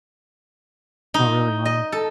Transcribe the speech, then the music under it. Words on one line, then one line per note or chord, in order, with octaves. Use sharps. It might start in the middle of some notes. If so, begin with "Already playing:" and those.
Oh, really? Wow.
D#4
D#5
A4